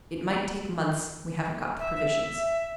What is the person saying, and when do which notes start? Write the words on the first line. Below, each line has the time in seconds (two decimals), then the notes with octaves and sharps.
It might take months--we haven't got the provisions.
1.79 E5